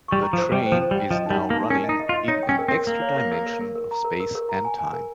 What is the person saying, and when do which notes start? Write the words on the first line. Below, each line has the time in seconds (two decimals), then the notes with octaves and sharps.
The train is now running in an extra dimension of space and time.
0.08 G3 C#6
0.22 A#5
0.33 F3
0.38 C5
0.52 G3 G5
0.66 C5
0.72 F3
0.82 C5
0.91 G3
0.96 G5
1.11 F3 D#5
1.26 G3 D#4
1.41 D#4
1.50 A#3
1.55 D#4
1.70 C#4 A#4
1.84 D#5
1.89 D#4
1.99 D#5
2.09 F4
2.14 D#5
2.28 D#4 C#5
2.43 G5
2.49 C#4
2.59 A#4
2.68 C4
2.72 A#4
2.87 A#3 A#4
3.02 C#5
3.16 A#4
3.32 A#4
3.47 A#4
3.61 A#4
3.75 A#4
3.91 A#5
4.05 A#4
4.20 A#4
4.35 A#4
4.49 A#5
4.65 G#5
4.78 G#5
4.93 A#4